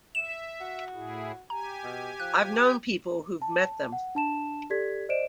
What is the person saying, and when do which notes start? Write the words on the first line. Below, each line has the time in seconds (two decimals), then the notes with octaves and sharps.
I've known people who've met them.
0.15 E5 E7
0.60 F#4
0.94 A2 E4 G#4
1.50 G4 G#5 A#5
1.84 B2
2.20 F3 F#6
3.42 A5
3.92 F#5
4.15 D4 A5 E7
4.70 G4 A4 D5 G#6 B6
5.09 C5 D5 D#5 D7 E7